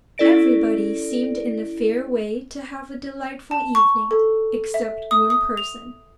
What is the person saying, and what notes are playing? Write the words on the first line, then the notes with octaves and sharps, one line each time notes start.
Everybody seemed in a fair way to have a delightful evening except one person.
C#4 E4 A4 D5 A#6 D7
A5
C#6
A4
E5
D#6
D#6
F7